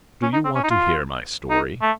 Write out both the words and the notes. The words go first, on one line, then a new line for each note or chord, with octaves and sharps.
"Do you want to hear my story?"
C#4
D#4
C4
C#4
D#4
F4
D#4
A3